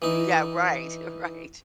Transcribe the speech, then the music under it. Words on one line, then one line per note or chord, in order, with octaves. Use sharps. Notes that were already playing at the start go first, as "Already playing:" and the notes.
Yeah, right, right.
E3 D#4